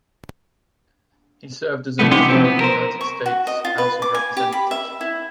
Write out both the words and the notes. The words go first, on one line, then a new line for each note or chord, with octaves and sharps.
He served as a member of the United States House of Representatives.
C2 D3 F3 G#3 A3 B3
C#4 D#4 E4 G4 F#5 C6
C3 F3 F#3 B3 C4
B3
A#4 C5
C#6
F#4
D#5
F4
B4
D6
G#5
G4
B5
E5
E4